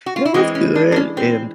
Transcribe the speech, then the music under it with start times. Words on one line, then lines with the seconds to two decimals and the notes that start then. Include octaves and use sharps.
It was good. And,
0.06 F#4
0.16 F4
0.25 E4
0.34 E3 G#3 C4 D#4
0.55 C#4
0.75 D4
0.92 D4
0.96 C#4
1.17 C4